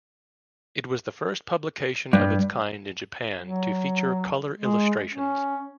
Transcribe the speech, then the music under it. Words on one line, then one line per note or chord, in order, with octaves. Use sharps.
It was the first publication of its kind in Japan to feature color illustrations.
G2
F#3
G#3
C#4